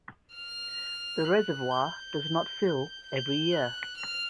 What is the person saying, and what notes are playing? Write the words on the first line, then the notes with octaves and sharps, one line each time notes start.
The reservoir does not fill every year.
F6
F#6
G6
G6
F#6
F6